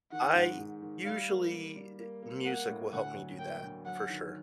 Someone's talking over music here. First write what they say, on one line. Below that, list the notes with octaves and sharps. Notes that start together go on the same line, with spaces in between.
I usually, music will help me do that for sure.
D#3 F#5
G#2
G#2
D#3
G3 F5
A#3
G3
G3
A#3
A#3
A#3 F#5
A2
D2 F#5
F#3
A#3 G5
D2
F#3 F#5
D#3